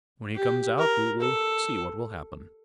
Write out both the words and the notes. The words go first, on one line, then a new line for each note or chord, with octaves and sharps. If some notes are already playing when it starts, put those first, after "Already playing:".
When he comes out, we will see what will happen.
G4
A#4
A4